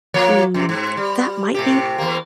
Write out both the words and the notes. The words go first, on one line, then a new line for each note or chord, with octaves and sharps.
Mm, that might be
F3 A#3 C#5
F#2 C3
G#2
G3
A2 C3 G4
E2 A#3